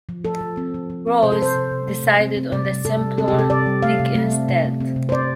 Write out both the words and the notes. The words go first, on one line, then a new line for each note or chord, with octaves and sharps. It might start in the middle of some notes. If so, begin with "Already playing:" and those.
Rose decided on the simpler Digg instead.
F3
F3 A4
F3
C4
F3
F3
C4
C3 C5
A4
C4 C5
C3
C3
A3
C3
C4
C4
C3 D5
G3
C3 A4
G3
C4 A4
G4
C3
A4
C3 D5
G3
A3 F5
C3
A3
C4
C3
A3
C4
C3
C5
C4 D5